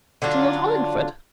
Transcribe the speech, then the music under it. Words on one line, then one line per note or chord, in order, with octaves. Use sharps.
To Lord Hollingford?
D3 F#3 D4 F4